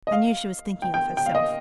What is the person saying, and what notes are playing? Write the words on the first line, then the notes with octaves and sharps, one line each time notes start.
I knew she was thinking of herself.
D#5
F5
G5
G5
G5
F5
D#5